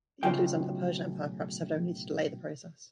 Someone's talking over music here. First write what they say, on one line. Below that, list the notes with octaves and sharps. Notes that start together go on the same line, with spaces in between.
The interludes under the Persian Empire perhaps served only to delay the process.
B1 A2 C#3 F#3 F4 G5